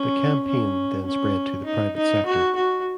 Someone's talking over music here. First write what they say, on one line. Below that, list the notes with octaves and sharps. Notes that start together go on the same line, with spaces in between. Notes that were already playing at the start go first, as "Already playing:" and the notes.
The campaign then spread to the private sector.
Already playing: C#4
C#4
C#4
D#4
D#4
F#4
F#4